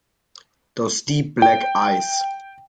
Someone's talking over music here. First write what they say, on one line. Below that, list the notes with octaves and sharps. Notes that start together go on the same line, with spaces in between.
Those deep black eyes!
G5